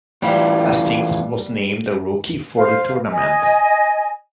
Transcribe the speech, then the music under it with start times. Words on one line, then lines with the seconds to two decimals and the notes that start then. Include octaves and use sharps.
Hastings was named Rookie of the Tournament.
0.22 A2 E3 G3 F4
2.56 C5 F5
3.11 D#5 G#5